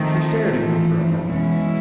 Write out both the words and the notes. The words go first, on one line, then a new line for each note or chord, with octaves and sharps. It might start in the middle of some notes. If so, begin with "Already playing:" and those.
She stared at me for a moment.
Already playing: D#3 F3 A3 C4
E3
B2 E3 G#3 C#4 E4